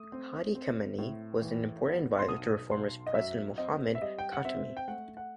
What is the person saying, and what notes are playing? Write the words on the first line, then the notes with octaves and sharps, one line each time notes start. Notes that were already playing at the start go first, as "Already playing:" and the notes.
Hadi Khamenei was an important adviser to reformist President Mohammad Khatami.
Already playing: A3 D#6
C4
C4
A2
E3
B3
C6
B1 D#6
B1 C6
D#5
F#2 E5
C4 D#5
E5
G3 D#5
G5
F#5
C4 E5
G5
A3 F#5
F#5